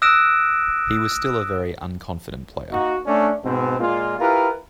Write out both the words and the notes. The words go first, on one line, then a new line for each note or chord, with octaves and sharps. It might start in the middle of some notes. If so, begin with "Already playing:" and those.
He was still a very unconfident player.
D#6 E6 F#6 A#6 D7 E7
A#3 D#4 F#4
A3 C#4 D4
G#2 B2 C4
A#2 G#3 A#3 F4
E4 F4 G4 A#4 B4